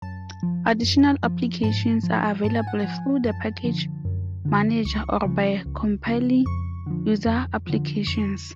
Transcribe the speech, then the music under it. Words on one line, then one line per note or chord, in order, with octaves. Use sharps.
Additional applications are available through the package manager or by compiling user applications.
F#2 A5
F3
F#2
F3
G#2 A5
F3
G#2 A5
G#5
F#5
F3 G#5
F#2 A5
D3 F3
F#2
D3 F3
C#2 C#6
C#3 F3
C#2
C#3 F3
F2 C#6
D3 F3
F2
D3 F3
F2 C#6